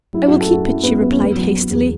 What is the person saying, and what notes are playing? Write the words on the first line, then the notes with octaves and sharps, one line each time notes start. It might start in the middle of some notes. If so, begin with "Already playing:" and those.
"I will keep it," she replied, hastily.
F#3 E4
F#2 F#4
A4
F#2 F#4
F#2 E4
F#2 B3
F#3 B3
C#4
E2 B3
F#3
F#3
E2